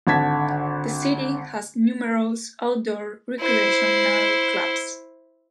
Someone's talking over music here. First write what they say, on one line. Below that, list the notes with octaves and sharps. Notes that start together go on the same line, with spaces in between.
The city has numerous outdoor recreational clubs.
G#1 D3 A5 G#6 B6
E4 C5